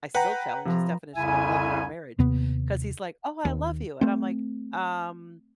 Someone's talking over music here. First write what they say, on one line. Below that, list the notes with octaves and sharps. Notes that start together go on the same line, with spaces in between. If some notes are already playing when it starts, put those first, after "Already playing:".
I still challenge his definition on love in our marriage, 'cause he's, like, "Oh, I love you." And I'm, like, "Um,
B4 F#5 G5 A#5
C3 F3 B4 A#5
C2 F2 C#3 E4 E5 G#5
D#2 C3 B3
D#2
A3 C4